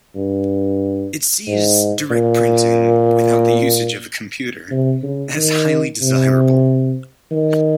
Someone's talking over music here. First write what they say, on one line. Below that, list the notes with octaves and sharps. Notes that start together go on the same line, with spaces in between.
It sees direct printing, without the usage of a computer, as highly desirable.
G2
G#2
A#2
C3
C#3
D#3
C3
D#3